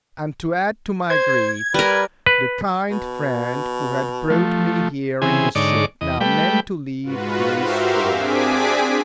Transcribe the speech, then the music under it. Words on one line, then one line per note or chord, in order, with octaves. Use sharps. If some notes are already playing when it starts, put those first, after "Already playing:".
And to add to my grief, the kind friend, who had brought me here in his ship, now meant to leave these shores.
C5 G#6
G3 A#4 B4
B4
B2
F3 A3
C#3 E3 C4 G#4 G#5
G#2 D3 D#4 C#5 D5 D6
E2 D#5
G3 A3 B4 G5
G#2 F4 F#4 B4
F#4 G4 A#4 C5 E5 F5
C4 D4 G#4 G#5 D6 B6